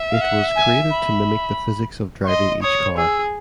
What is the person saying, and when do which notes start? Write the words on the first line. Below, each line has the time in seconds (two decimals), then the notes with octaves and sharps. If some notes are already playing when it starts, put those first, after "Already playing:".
It was created to mimic the physics of driving each car.
Already playing: E5
0.10 F5
0.21 F#5
0.56 G#5
0.90 B5
2.24 C#6
2.28 D#5 C6
2.62 C#5 D#6
2.97 G#4 E6